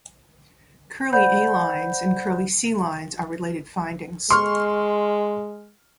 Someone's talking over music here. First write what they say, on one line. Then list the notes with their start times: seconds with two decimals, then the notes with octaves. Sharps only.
Kerley A lines and Kerley C lines are related findings.
1.13 C5 D5 F#5 B5 G6
4.30 G#3 C6 C#6 F6